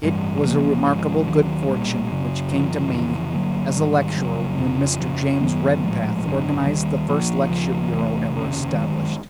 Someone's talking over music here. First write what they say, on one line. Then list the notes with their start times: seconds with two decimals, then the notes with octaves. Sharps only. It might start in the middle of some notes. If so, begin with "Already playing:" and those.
It was a remarkable good fortune which came to me as a lecturer when Mr. James Redpath organized the first lecture bureau ever established.
0.03 A1 G2 E3 G3
0.44 E2 C#3 F3 A#3
0.86 G#1 G#2 F3
1.27 D#2 D#3 F#3
1.68 B1 A#2 G3
2.11 F#1 F#2 C#3
2.52 G2 D3 F3
2.93 F1 F2 C#3 E3
3.34 G2 D3 F#3 A#3
3.75 G#2 D#3 G3
4.17 F#1 F2 C#3 F#3
4.58 F2 C#3 F3
5.00 F2 C#3 F3
5.41 F#2 D#3 F#3 B3
5.83 A#1 A2 F3 G#3
6.25 G#1 F#2 D3
6.66 D#2 D#3 G3
7.08 A#1 A#2 F3
7.49 D#2 C#3 F3
7.90 E2 C3 E3 A3
8.31 F1 D#2 C#3
8.72 G1 F#2 D#3 G#3